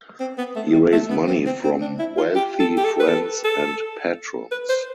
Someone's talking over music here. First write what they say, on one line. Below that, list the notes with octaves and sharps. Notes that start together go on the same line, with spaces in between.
He raised money from wealthy friends and patrons.
C4
B3
A3
G3
A3
B3
C4
C4
C4
D4
E4
F4
G4
A4
G4
A4
B4
A4
A4
B4
C5